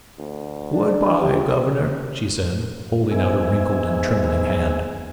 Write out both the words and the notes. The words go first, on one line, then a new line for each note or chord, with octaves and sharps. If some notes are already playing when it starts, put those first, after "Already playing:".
"Good-bye, governor," she said, holding out a wrinkled and trembling hand.
D2
D4
G4
G#2 B3 E5 G#5